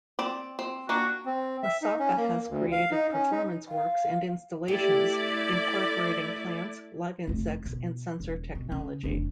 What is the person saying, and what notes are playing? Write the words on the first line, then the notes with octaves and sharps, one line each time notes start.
Masaoka has created performance works and installations incorporating plants, live insects, and sensor technology.
C4 D5
C4
A#3 D4 F#4
C4
E5
D#4
C#4
A#3
D2
F5
D#4
C#4
D#4
F5
A3 E4 G4 D5
F1 A3
B2
E1
B2
C#3
F1 D4